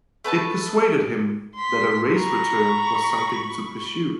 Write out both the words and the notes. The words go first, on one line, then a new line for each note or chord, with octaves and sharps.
It persuaded him that a race return was something to pursue.
A3 B4 G#5 A5
C6 B6
A#5 B5 C#6